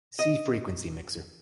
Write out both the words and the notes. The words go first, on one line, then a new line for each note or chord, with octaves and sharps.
See Frequency mixer.
D#5